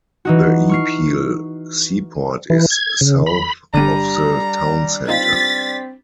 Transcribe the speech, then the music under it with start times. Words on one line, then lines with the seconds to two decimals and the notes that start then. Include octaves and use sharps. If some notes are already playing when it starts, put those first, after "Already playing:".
The Ipil seaport is south of the town center.
0.25 E3 D#4 F#4
0.69 C#6 F6 C7
2.50 E3
2.70 G#6
3.01 C#3
3.26 B5
3.74 G1 D3 G3 D4 A#5 D#7
5.08 C4 D#4 F4 A6 B6